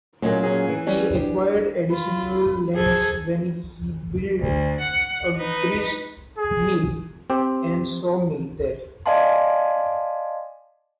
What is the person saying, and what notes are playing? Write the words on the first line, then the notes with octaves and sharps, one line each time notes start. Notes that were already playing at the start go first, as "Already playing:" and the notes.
He acquired additional lands when he built a grist mill and sawmill there.
A#2 F#3 G#3 A#3 C#4
C#4 G#4
E3
F#3 G3 C#4
D4 G4
F4 B5
G#4 A4 C5 G#6
D2
F#5
D#4 B4
G#4
C4 G4
D5 D#5 F5 G#5 A5 C6